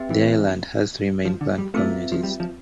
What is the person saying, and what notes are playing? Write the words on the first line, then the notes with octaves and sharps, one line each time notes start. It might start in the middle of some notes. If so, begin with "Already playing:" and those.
The island has three main plant communities.
Already playing: C4 G4 B4 E5 G5
E3
F3
D3
G3
A3 C4 F4 B4 E5
F3
G3
F3